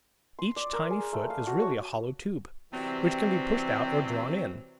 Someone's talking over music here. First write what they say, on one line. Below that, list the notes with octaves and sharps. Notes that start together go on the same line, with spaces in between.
Each tiny foot is really a hollow tube, which can be pushed out or drawn in.
C6
D5
A#4
G#4
A3
F5
F#4
C#5
C3 E3 F#3 G3 C4